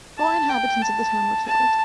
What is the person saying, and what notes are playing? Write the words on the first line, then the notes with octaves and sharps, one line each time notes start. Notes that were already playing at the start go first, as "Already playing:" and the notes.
Four inhabitants of the town were killed.
A5
G5
A5
A5